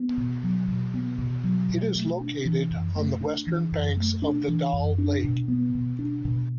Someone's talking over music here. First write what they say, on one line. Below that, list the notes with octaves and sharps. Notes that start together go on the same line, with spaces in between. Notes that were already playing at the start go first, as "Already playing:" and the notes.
It is located on the western banks of the Dal Lake.
Already playing: B3
B2
F#3
B2
B3
B2
F#3
B2
A3
D4
E3
F#2
A3
D4
E3
F#2
A3
D4
E3
F#2
D4
B2
B3
B2
D4
B2